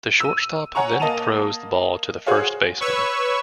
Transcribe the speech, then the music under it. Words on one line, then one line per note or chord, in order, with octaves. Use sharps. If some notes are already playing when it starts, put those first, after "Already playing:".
The shortstop then throws the ball to the first baseman.
E6 D#7
C#5 F#5 G#5 A#5 C#6
A#3 D#5 A5 D#7 F7
F#4 G#4 C5 C#5 F5
B4 C#5 C#6 E6